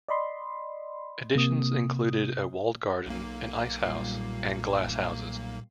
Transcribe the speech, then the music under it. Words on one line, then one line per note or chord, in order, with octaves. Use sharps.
Additions included a walled garden, an ice house, and glass houses.
D5 D#5 B5 C6
C3 A#3 D#6
B1 A#3
A#2 G3 F4